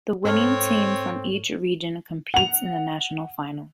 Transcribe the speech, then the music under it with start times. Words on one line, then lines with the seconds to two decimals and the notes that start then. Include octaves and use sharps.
The winning team from each region competes in the national final.
0.25 G#2 C4 A4 C#5 F6
2.34 F#5 F7